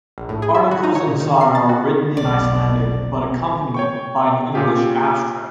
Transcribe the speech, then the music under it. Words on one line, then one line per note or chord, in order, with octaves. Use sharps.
Articles in "Saga" are written in Icelandic but accompanied by an English abstract.
A#1
A2
G#4
E5
F#4
D#4
C#5
A#2
D#3
C7
A6
F#4
F1 B1 D5
C#5 G5 C#6
A#2 C#4 F4 G4 G#4